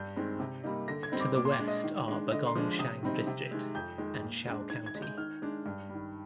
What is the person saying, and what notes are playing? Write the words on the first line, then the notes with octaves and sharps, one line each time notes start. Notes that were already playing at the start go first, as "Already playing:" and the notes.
To the west are Bagongshan District and Shou County.
Already playing: G2 G6
D#3 G#3 C4
C3
G3 A#3 D#4
D3 A#6
G#6
G3 C4 D#4
D6
A#2 D6
C6
D6
G#3 D4
D#5
D#3
G#3 D4
D3 D#5
C6
F3 G#3 D4
C3 D#6
D#3 G3 C4 D#4
C3
D#3 G#3
F2 G6
D#3 G#3
A#2
G#3 D4
D#3 G#6
G#6
G#3 D#4
G6
D#3 F6
G#3 D4
G2
G3
D#3